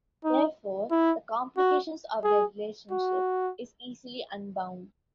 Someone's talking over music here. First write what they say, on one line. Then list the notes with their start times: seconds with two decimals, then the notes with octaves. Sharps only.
Therefore, the complications of their relationship is easily unbound.
0.25 D#4
0.91 E4
1.57 F#4
2.24 G#4
2.91 F#4